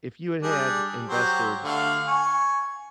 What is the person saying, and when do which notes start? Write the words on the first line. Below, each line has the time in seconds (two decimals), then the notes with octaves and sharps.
if you had had invested
0.43 G3 D4 G#4
1.09 F#3 G4 C5
1.64 D3 A3 F5
2.07 G#5 C#6